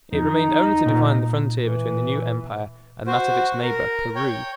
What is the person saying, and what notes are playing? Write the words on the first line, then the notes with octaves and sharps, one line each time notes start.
It remained only to define the frontier between the new empire and that of its neighbor, Peru.
F2 D#4
A#2
E3
F#4 C5
A#4
C#5 G5